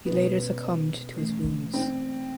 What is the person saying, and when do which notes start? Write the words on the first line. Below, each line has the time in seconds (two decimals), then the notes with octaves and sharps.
He later succumbed to his wounds.
0.06 B2 G#3 B3 C#4
1.18 E3 A3 C#4
1.73 C4